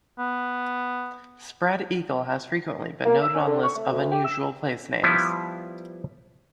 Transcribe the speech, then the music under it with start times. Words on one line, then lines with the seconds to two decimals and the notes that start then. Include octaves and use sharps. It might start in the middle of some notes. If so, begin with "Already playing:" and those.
Spread Eagle has frequently been noted on lists of unusual place names.
0.19 B3
3.05 A#3
3.21 E6
3.35 C#4
3.47 D3
3.63 C#6
3.76 A3
3.91 D2
4.11 G4
4.25 E6
5.03 F3 G3 B3 E4 F4